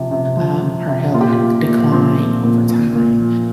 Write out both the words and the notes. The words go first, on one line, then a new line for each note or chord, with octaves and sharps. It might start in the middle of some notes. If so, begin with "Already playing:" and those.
um, her health de d decline over time,
Already playing: C3 F3
C3
F3
F3
C3
A#2 F4
G4
F4
A#2
A#2
F3 C4
A#2
A#2
A#2
A#2
F3